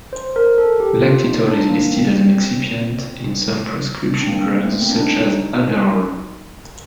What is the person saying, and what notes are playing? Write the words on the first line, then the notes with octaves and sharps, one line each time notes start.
Lactitol is listed as an excipient in some prescription drugs, such as Adderall.
C5
A#4
A4
G4
F4
D#4
D4
A#3
C4
C4
C4
D4
C4
A#3
C4
A3
A#3
C4
D4
D#4